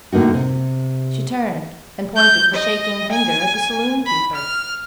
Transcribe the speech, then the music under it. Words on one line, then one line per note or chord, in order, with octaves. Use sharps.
She turned and pointed with a shaking finger at the saloon-keeper.
A2 D3 A#3 D#4 F#4
C3
G6
D#5
G#5
B5
F6